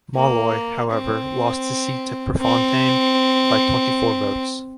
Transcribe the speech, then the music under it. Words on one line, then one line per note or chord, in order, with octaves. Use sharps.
Molloy, however, lost his seat to Prefontaine by twenty-four votes.
A#3
C4
C4